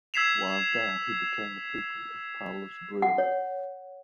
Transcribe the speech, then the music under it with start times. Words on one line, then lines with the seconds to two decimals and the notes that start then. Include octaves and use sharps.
While there he became a pupil of Paulus Bril.
0.14 E6 G#6 B6 C7 E7 F7
3.02 F#5
3.18 C#5